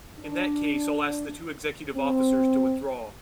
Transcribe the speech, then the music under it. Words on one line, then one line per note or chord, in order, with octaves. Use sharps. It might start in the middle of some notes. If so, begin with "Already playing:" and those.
In that case I'll ask the two executive officers to withdraw.
D4
C4